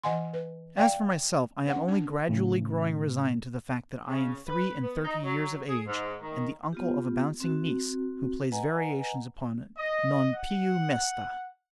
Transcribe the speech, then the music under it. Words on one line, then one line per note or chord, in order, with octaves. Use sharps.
As for myself, I am only gradually growing resigned to the fact that I am three-and-thirty years of age, and the uncle of a bouncing niece, who plays variations upon 'Non piu mesta.'
E3 D#5 F#5 G#5 C6
B4
D5 F5 G5
C#4 C5 F#5
D4
A2 C#3
C#3
B4
B3
D#4
F#3
G#4
G#2
D#3
B3 F4 G4
C4 F#4
B4 D#5 F#5 G#5 A#5
D#5
F#5